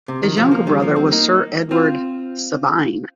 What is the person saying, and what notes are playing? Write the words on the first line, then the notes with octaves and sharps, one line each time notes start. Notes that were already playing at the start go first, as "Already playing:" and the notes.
His younger brother was Sir Edward Sabine.
C3
D#3
C3 F3
F3 A#3
D#3 G3
F3 A#3
G3 C4
A#3 D#4
C4 F4